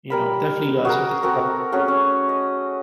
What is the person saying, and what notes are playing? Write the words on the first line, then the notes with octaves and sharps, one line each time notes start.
you know, definitely uh something to celebrate.
G3 A#4 B5
F#4 G#4 A#4
C4 F#4 A4 A#4
A3 C#4 F#4 G#4
C#4
D#5